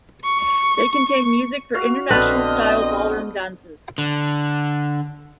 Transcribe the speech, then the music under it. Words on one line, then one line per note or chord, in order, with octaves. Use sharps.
They contain music for International Style ballroom dances.
C#6
F#4 F5
A#1 D3 B3 C4 B4 D#5 F6
D3